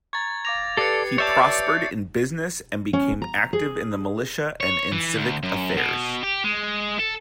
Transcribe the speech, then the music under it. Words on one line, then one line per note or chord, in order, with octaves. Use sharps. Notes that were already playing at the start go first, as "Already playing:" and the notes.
He prospered in business and became active in the militia and in civic affairs.
A#5 C#6 G#6 A6
F5 D6 A#6 F7
G4 A4 B4 D5 C7 C#7
C#5 D5 E5 A5 G6 A6
C#4
A#5
G#4
C#5
E3
D2
F#2
B2
G4
G#3
A4